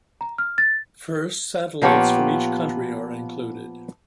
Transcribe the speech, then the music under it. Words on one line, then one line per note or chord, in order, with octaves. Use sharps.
First satellites from each country are included.
A#5
F6
A6
A#2 F3 B3 G4 C#5